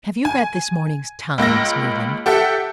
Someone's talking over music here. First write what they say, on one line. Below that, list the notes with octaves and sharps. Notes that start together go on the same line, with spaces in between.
"Have you read this morning's Times, Newland?"
G#5
C#2 A#3 E6 A#6
G4 A4 E5 F#5